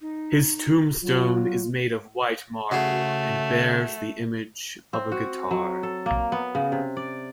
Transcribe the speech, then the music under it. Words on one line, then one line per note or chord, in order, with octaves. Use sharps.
His tombstone is made of white marble and bears the image of a guitar.
D#4
F#3 F4
C#3 A3 F#4 G#4
C4
F#4
F#3
A4
A#3
B3
C#3
C3
D5